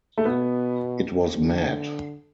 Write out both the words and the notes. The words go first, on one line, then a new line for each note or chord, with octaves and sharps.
It was mad.
A3
B2 B3
D3